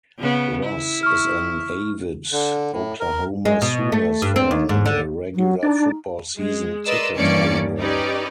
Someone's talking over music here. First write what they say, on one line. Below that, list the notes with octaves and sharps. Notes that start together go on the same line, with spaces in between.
Ross is an avid Oklahoma Sooners fan and a regular football season ticket holder.
C#3 B3
E4
C#6 F6
D3
A2
A#4
G#3
B2
A3
G2
C4
D#2
G#2
D3
F#3
D4 D#4
G#3
A#4 B4 D5 D#5 C6 E6
G2 E3 A#3 C#4 D5 C#7
C#4 D#4 G4 B4 D5 D#5